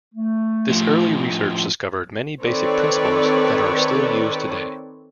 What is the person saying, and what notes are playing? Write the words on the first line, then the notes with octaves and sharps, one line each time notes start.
This early research discovered many basic principles that are still used today.
A3
A2 F3
D#3 C4 A4 B4 C#5 D5